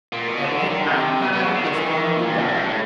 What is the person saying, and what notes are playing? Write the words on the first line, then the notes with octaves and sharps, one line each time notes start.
Everything I have is on the die.
A#2
B2
D3
D#3
D#3
D3
C3
B2
B2
C#3
D3
D#3
E3
D#3
A#2
G2
F#2
G2
A2
A2